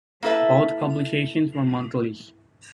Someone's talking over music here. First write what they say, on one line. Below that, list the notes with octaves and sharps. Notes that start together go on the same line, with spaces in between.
Both publications were monthlies.
A#3 E4 A4 B4 E5